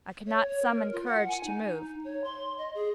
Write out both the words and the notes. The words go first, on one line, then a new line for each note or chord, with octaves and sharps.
I could not summon courage to move.
C#5
C#5
A#4
F4
F#5
G#5
D#4
C#5
C6
D#5
G#4